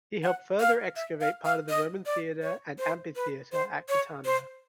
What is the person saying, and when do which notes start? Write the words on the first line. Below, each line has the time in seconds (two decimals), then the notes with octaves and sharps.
He helped further excavate part of the Roman theater and amphitheater at Catania.
0.23 F#5
0.60 F5
0.96 E5
1.21 F5
1.45 F5
1.69 D#5
2.06 D5
2.42 C#5
2.78 C5
3.16 B4
3.52 C5
3.89 C#5
4.25 C5